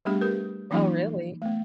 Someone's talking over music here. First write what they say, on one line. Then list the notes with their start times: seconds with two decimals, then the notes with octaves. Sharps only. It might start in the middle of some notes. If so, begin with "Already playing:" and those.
Oh, really?
0.05 G3 A3 B3 D4 G4 G#4
0.21 G4 A#4 B4
0.71 E3 F#3 A#3 C#4 D#4 F4
1.42 A3 B3